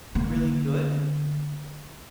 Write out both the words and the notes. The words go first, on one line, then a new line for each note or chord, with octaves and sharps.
really good?
D3 A#3